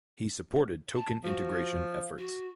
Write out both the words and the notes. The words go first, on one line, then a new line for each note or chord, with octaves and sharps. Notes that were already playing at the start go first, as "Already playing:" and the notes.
He supported token integration efforts.
A5
F3 F#4
F#4